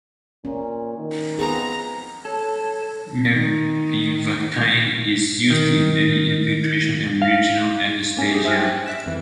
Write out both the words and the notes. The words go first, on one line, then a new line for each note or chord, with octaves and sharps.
Mepivacaine is used in any infiltration and regional anesthesia.
A#2 C#4
D#3
F3 B3 C4 G#4 A#5
A4 C#5 A5
D#3 D#4
D#3
F5
A#3 C#4 E5
G4 G#4
C5 E5 G5 G#5 F6 F#6
F#6
E5 F#6 B6 D7 E7
F2 E3